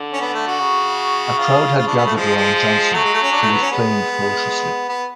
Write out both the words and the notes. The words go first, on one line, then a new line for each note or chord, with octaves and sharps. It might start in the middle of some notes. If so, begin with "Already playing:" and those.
A crowd had gathered around Johnson, who was playing ferociously.
Already playing: D3
C#4
B3
A3
F#4
C#3
F4
C#3 F4
D4
B3
A3
F3 G#3
G#3
G#3
F#3 A3
G#3
A3
C#4
D4
A3
B3
C#4
G#3 B3
G#3
B3